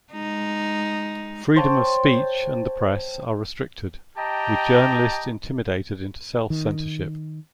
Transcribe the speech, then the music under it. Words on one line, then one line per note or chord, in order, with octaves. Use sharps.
Freedom of speech and the press are restricted, with journalists intimidated into self-censorship.
G#3 D#4
C5 C#5 G5 A5
G4 D#5 G5 A5 A#5
D#3